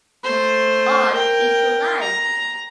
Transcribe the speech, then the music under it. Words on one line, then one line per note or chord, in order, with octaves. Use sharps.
Art into life!
A3 C5
A#4 G5
A#5